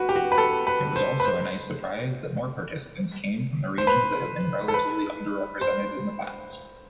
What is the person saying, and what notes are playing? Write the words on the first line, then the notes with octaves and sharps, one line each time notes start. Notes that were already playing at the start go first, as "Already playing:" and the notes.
It was also a nice surprise that more participants came from the regions that have been relatively under-represented in the past.
Already playing: F#4 B4
G4
F#4
B4
A4
B4
C5
B4
C5
C5
B4
A4
B4
C5